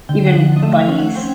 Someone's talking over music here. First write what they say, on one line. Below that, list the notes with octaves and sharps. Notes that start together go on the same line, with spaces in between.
even bunnies.
D3 G5
F#5
F3
D#5
A3 E5
F5
C#4
F#5
C4 G5